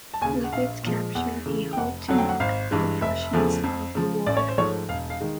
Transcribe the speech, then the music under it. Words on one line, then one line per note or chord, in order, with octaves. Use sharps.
With its capture, he hoped to knock the Prussians out of the war.
A5
D#2 C#3 G#5
F#5
A#1 F5
A#2 F3 G#3
E2 F#5
C#3 E3 A3
G5
F1 F#5
F2 D3 F#3 F#5
G5
F#5
G#1 F5
G2 E3 G#3
F1 E5
E2 C#3 F3 A3
F2
C#3 F3
A1 D5
C#5
C5
G#2 F3 A3 C#5
E1 F5
F5
D#3 G#3